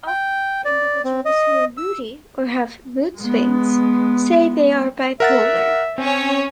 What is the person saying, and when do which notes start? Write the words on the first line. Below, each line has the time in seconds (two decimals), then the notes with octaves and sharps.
Often individuals who are "moody" or have mood swings say they are bipolar.
0.07 G5
0.65 D5
1.04 C4
1.25 D#5
1.77 E6
3.18 G#3 B3
5.20 A#4 E5 F#5 A6
5.98 C4 C#4 C#5